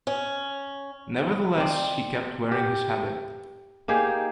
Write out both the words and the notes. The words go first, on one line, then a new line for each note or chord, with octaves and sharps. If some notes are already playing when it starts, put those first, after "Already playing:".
Nevertheless, he kept wearing his habit.
C#4
C4 D5
G4
A#3 D#4 G4 G#4